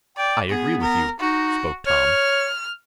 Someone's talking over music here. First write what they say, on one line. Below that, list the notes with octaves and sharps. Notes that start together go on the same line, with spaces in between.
"I agree with you," spoke Tom.
D5 G5
B3 G#4
A#4
D#4 F#4
C#5 F6